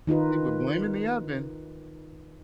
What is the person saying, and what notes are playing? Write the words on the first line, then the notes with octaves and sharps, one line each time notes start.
see, we're blaming the oven.
D#3 D#4 F4 B4